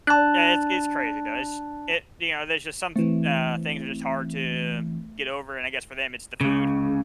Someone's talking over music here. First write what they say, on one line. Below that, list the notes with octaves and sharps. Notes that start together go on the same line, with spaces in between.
yeah, it's it's crazy though, it's it you know, there's just some, uh, things are just hard to get over, and I guess for them it's the food.
D4 A5 F#6
E3 A3 C4
C#2 C#3